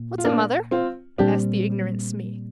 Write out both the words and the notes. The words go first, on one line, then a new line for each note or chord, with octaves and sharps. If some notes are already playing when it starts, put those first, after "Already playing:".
"What's a mother?" asked the ignorant Smee.
Already playing: A#2
F4
A#3 D4
C4 F4
A#2 G3 C4 D4 G4